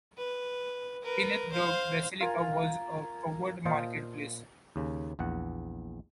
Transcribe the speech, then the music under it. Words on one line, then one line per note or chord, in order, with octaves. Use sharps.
Beneath the basilica was a covered market place.
B4
A#4 B4
C5 F5
F4 A#4 G#5
A#2 F4 C5 D#5 F5 A5
D#2 C#3
A#1 E2 F#5